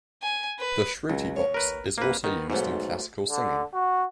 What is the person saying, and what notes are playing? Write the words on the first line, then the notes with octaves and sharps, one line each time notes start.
The shruti box is also used in classical singing.
G#5
B4
C#2 F#3
D#2 C#5
A#4 B4
F#2 A#3 C4 B4
D#3 A#3 B3
B1 G#2 A3 F#4 C5
D3
F#4